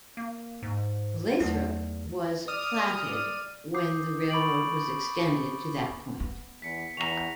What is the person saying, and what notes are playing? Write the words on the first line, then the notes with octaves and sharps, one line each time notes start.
Lathrop was platted when the railroad was extended to that point.
A#3
G#2
E2 F#3 A3 D#4
D5 D#6 F6 D#7
D5
D6 D#6 G6 C7
B5 C#6 D6 A6 D7 F#7
B3
E2 B6 C#7
E2 A#5 C#6 A#6 F7